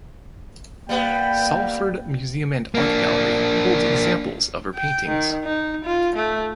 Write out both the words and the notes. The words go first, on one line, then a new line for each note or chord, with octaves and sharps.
Salford Museum and Art Gallery holds examples of her paintings.
G3 A#3 B3 G5
A#3 D4
G5
D#3
D#4
F4
A3